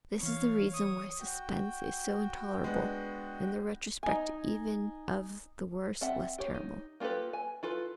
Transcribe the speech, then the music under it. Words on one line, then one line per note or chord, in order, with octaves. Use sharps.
This is the reason why suspense is so intolerable, and the retrospect even of the worst less terrible.
E3 B3 C#5 F5
C#5 D#6
F#4 G5
G#3 B3 D4
D#4 G#5
C4 A4 E5 F#5
G4 C#5
D#4
A#3 F4 G4 A4 B4
G#5
E4 F4 A4 B4